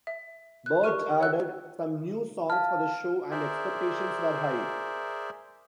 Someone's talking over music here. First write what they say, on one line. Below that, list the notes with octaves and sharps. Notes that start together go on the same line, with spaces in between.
Bart added some new songs for the show and expectations were high.
E5
F#6
G4 A#4 C#6 F6 D#7
C#5 F#5 E6 F#6
F5 A5 F6
G#4 A#4 C5 D5 E5